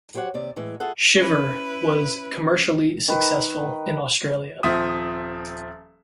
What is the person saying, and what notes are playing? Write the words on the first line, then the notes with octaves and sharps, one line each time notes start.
"Shiver" was commercially successful in Australia.
F#3 G4 C5 C#5 F#5
D#2 C3 D5
A2 E3 G#3
F4 G#4 A4 E5 F#5
C#4 E4 B4
D#3 B4
D#1 F3 C4 E5 D#6